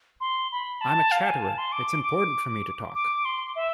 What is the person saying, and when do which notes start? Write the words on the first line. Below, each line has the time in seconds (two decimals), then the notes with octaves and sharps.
I'm a chatterer; it's important for me to talk!
0.20 C6
0.52 B5
0.81 A5
1.11 F5
1.27 G#5
1.42 A5
1.58 C6
1.72 D6
2.03 D6
2.95 D6
3.25 C6
3.55 E5